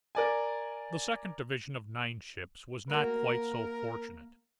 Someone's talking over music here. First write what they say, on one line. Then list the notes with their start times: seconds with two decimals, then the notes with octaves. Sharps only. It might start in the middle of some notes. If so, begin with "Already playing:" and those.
The second division of nine ships was not quite so fortunate.
0.15 A#4 D5 G#5
2.90 A#3 F#4 A#4